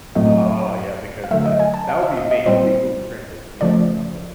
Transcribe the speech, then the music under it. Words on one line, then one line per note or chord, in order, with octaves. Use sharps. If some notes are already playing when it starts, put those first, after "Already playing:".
Oh, yeah, because that that would be me, I'll be Google Translate senior, 'cause I'm old,
A2 F#3 A3 C4 D#5
F5
D3 F#3 A3 E5
D#5
G#5
A5
F5
E5
D#5
D#5
A#2 G3 C4 C5
C#3 F3 A3 D5